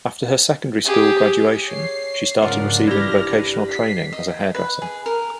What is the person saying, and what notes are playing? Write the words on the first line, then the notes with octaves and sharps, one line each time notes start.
After her secondary school graduation she started receiving vocational training as a hairdresser.
G4 G#4
C#5 C7
G#2 C#3 F3 D4 F4 A#4 F#5
G1 E4 G4 F6 A#6
B4
B6 C7
D#5
B4
G#4
A#4